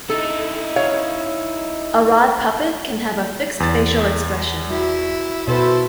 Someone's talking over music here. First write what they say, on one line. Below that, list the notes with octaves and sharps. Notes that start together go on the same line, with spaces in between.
A rod puppet can have a fixed facial expression.
D#4 E4 A4
C#5 F5
E2 A6
E4 F#4
B2 E4 F#4 A4 B4 C5